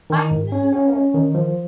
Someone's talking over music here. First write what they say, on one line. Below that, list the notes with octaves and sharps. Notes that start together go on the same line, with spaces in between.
I know.
D#3
G#2
C#4
C#4
C#4
D#3
F3